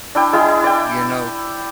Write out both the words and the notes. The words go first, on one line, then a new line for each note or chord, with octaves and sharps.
you know,
D4 E4 G5
G#3 E4 G#4
D5 G5